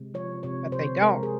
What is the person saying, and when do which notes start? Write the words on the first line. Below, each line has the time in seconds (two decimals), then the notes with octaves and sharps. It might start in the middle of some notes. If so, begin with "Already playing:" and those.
but they don't.
Already playing: C3 G#3
0.14 F3 C#5
0.43 C3 C#5
0.72 C3 C5
1.02 G#3 A#4
1.23 G#4